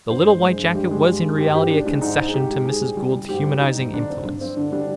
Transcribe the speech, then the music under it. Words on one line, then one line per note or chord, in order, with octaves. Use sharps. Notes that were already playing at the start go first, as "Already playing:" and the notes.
The little white jacket was in reality a concession to Mrs. Gould's humanizing influence.
G2 C5
G#3
G#3
G2
G2 G4
G#3
G#3
G2
G#2 G4
G#2 G4
G#2 D4
G#3 D4
G#2 D#4
G#2
G#4
G#2 G4
G#3
G#2 G#4
G3
G3
G3
G#2 G4
G3
G3 D#4
G#2
D3 D4
G2 C4
G2
G2 C4
D3 D4
G3 D4